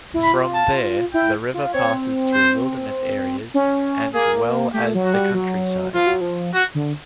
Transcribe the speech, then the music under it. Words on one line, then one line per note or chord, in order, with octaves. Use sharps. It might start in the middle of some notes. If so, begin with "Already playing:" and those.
From there, the river passes through wilderness areas and well as the countryside.
E4
B5
F4
A5
E4 G5
F4
C4 C#5
C5
C#4
A#3 G#4
A3 G4
F#3
F#4
G3
F#3
F3 F4
F#3
F3
F#4
D3